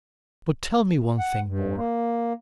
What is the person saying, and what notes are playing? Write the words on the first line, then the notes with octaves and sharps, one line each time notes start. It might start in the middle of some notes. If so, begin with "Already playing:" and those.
But tell me one thing more.
F#5
G2
A#3